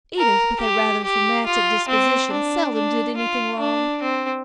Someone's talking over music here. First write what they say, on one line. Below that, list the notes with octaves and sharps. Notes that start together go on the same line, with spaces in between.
Edith, with a rather phlegmatic disposition, seldom did anything wrong.
A#4
G4
G4
F4
C4
D4
D4
F4
D4
C4